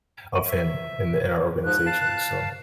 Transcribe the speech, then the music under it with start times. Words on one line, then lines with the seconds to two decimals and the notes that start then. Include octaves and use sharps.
of him in the in our organization, so
0.48 E5
1.65 G#2 F3 F#6
1.86 F5 A5